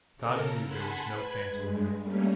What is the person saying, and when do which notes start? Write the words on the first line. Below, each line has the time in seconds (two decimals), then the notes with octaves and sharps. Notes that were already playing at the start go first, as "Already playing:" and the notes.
God knew there was no phantom there!
0.16 C#3 A4 A#4
0.64 F#5 G#5 A5 B5 C6
1.06 B4 B5 G#6
1.49 G2 G#3
2.00 G3 A3 A#3 C#4